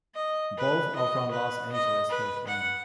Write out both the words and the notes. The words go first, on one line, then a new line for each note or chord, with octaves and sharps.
Both are from Los Angeles, California.
D#5
B4
D#5
B4
D#5
B4
F#5